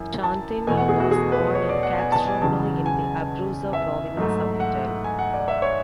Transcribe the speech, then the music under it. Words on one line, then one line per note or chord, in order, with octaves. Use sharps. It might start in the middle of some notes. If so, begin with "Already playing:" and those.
Santini was born in Capestrano in the Abruzzo province of Italy.
Already playing: F#2 E3 G#5
A5
E2 B2 A3 G#5
F#5
G#4
F#4
G#4
B4
C#5
D5
F#5
G#5
A5
G#5
E2 C#3 F#3 A5
G#5
E5
G#2 F#3 A3
F#5
G#5
F#5
D5
E5
C#5